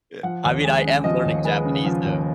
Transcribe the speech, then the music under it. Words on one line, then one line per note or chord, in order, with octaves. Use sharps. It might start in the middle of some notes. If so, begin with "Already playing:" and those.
Yeah. I mean, I am learning Japanese though,
F3 F#5
D#2
G#3
C#3
F3 D#5
D#2
G#3 B4
C#3
F3
D#2